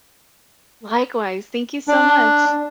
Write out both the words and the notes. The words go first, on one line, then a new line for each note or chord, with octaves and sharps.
Likewise. Thank you so much.
D4